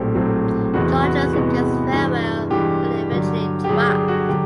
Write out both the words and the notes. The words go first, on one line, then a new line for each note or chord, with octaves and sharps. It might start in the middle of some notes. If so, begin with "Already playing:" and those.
Charges against Farrell were eventually dropped.
Already playing: A#1 A2 F#3 A3 C4 G4
A#1 A2 F#3 A3 C4
E2 C3 E3 G#3 B3 F#4
F#4
E2 C3 E3 G#3 B3 F#4
G2 E3 G#3
G2 E3 G#3 G4
G2 D3 F#3
G4
G2 D3 F#3 G#4
G4
F#4
D3 F#3 G4